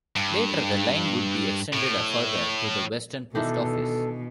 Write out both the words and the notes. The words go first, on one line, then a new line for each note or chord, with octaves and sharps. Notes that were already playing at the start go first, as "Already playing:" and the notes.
Later, the line would be extended a further to the Weston post office.
G2
A2
B2 D#3 E3 D4 A4